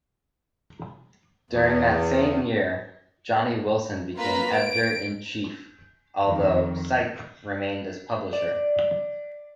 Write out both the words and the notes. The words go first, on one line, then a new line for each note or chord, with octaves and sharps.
During that same year, Johnny Wilson became editor-in-chief, although Sipe remained as Publisher.
E2
A#3 F4 B4 A#5 B6
D7
F2 D#3
D5